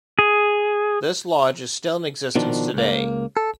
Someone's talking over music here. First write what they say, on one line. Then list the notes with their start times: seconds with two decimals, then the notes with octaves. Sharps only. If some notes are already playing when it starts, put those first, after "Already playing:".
This lodge is still in existence today.
0.19 G#4
2.35 B2 D#3 F3 D4
2.74 C#2 A#3
3.37 A4